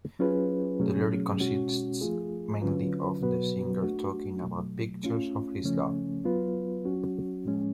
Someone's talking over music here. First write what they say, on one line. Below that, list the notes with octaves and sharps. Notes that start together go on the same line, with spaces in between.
The lyric consists mainly of the singer talking about pictures of his love.
F#3 C#4 F4 G#4 B4
B2 F#3 A3 C#4 G#4
B2 G#3 C#4 F#4
F3 A3 F4 G#4
D3 F#3 C#4 F4 B4
B2 F#3 B3 F#4 B4
A3 D4 F#4
B2 F#3 A3
A3 C#4 F4
C#3 F3 A3 C#4
F#3 B3 F4 B4
F#3 C#4 F#4
A2 F3 G#3 C#4